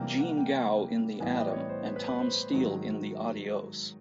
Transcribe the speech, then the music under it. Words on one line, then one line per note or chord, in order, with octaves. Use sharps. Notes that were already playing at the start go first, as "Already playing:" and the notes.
Jean Gau in the Atom; and Tom Steele in the Adios.
Already playing: C3 E3 G3 A#3 G5
F#5
G5
A2 E3 G3 B3 G#5
G5
D#5
D5
C#5
C5
B4
B4
B4
C5
G#2 D#3 F#3